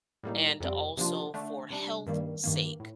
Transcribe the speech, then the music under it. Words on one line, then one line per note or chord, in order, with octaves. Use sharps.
and also for health sake
A2 G3 A#3 D#4
F2 C3 G3 C4
C3 F3 A#3 D4 F4
D3 A3 D4
C3 G3 D4
G2 D#3 G3 A#3
G2 D#3 A#3
A2